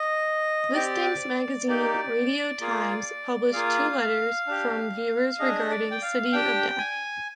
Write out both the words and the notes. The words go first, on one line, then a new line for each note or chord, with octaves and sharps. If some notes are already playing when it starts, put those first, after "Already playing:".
Listings magazine "Radio Times" published two letters from viewers regarding "City of Death".
Already playing: D#5
C4 G4 D5
A#3 D#4 G4 D5
A#3 F4 G#4
A#3 F4 G#4 F5
D4 G4
D4 G#4 D#5
D5
G5
F5
D4 G4 G5
G#5